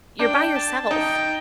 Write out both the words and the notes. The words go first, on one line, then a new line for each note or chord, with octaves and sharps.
you're by yourself.
D4 G5
A5
D#4 G5